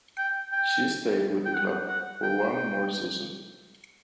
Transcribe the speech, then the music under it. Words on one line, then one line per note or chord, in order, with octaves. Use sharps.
She stayed with the club for one more season.
G5
G5
G5
F#5
F#5
G5